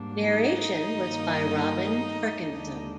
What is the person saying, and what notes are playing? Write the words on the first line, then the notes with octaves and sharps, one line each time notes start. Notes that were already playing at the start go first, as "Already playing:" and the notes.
Narration was by Robin Parkinson.
Already playing: G#2 G3 A#3 D4
D#4 D#5
G2 D#3 A#3
D#2 D3 G#3 D4